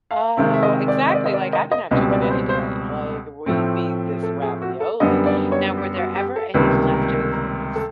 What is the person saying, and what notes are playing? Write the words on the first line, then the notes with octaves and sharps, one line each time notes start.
Oh, exactly, like, "I can have chicken any day," like, "We need this ravioli." Now, were there ever any leftovers
F5
C3 D#3 G#3 C4 E5
E5
D#5
D5
D#5
D5
D#5
D5
D#5
D#5
C#2 B2 G3 C4 D#5
D5
B4
C5
C5
A2 F3 A3 C4
A4
G#4
F#4
A4
F#2 D3 G3 B3 D#5
D5
C#5
G4
F#4
G4
A4
C#2 C3 D#3 G3 A#3 B4
A#4
A#4
A4